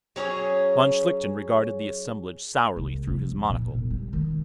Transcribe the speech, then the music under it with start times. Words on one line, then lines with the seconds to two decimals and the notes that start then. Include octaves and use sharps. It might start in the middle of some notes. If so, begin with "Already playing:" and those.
Von Schlichten regarded the assemblage sourly through his monocle.
0.16 F#3 C#4 G#4 C#5
2.77 C2
3.07 F2
3.50 A#2
3.74 E1
3.90 G3
4.13 D#3